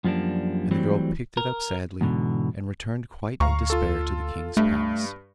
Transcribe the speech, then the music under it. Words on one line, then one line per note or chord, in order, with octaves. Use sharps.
And the girl picked it up sadly, and returned quite in despair to the king's palace.
F#2 F3 G3 A#3 D4
E3 F#3 G3 A3 C4
A#4
E2 G#2 B2 D3
D2 F5 A#5 C#6
F4 A4
G2 A3